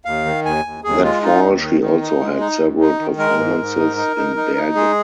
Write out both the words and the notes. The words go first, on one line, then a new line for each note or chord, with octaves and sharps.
That fall she also had several performances in Bergen.
D#2 F5
D#3
D#2 G#5
D#2
D#2 G#4
G#3 F4
D#4 F4
D#2
D#3
D#3
D#4
G#3
D#4
D#2
D#4
D#3
G#3 A#4
G#2
G#2
D#4
D#4
D#4
D#4
D#4
G#3 G#4